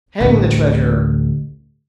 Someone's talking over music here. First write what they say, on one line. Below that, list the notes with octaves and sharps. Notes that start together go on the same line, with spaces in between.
Hang the treasure!
A1 D2